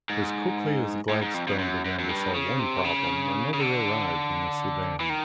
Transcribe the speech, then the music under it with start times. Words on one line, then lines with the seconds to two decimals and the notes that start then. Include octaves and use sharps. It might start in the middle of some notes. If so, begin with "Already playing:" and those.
As quickly as Gladstone began to solve one problem another arrived in the Sudan.
0.10 G#2
1.09 A2
1.22 G#2
1.34 F2
1.47 F2
1.59 F#2
1.85 F#2
1.99 F#2
2.09 G2
2.35 C#3
2.59 C3
2.84 C#3
3.54 C#3
3.60 D3
5.00 E3
5.10 D#3